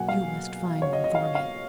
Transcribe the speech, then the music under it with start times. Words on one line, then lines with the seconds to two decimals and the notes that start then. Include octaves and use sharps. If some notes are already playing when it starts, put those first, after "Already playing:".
You must find them for me!
Already playing: B1 B2 F#3 A#3 F#5 G#5
0.09 F5
0.82 C#5
0.93 D#5
1.04 D#5
1.15 F5
1.35 F5